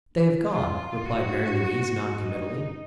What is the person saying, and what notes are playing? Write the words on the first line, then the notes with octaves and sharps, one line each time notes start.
"They have gone," replied Mary Louise, non-committally.
F4
F#4
D#4